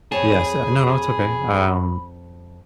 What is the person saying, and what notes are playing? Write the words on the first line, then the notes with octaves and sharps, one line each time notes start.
Yes uh, no, no, it's okay. Um,
F2 G#4 C#5 A5 B5